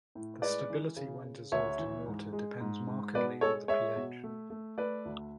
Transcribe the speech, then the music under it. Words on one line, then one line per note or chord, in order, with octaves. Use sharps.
The stability when dissolved in water depends markedly on pH.
A2
G#3 B4 D5
E3
C#3
C#3
D2 C#5 E5
E3
G#2
G#3
G#2
G#2
B2 B4 D5
G#3 A4 C#5
G#3 C#5 E5
B2
A3
A3
A3 B4 D5
D2